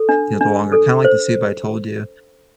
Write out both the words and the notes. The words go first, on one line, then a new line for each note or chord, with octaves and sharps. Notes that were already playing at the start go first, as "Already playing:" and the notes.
you know, the longer kinda like the soup I told you,
Already playing: A4
D4
D4
A4
C5